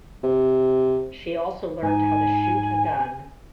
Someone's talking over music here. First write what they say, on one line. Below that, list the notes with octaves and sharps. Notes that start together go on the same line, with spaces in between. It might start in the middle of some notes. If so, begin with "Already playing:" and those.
She also learned how to shoot a gun.
C3
G#2 D#4 G#5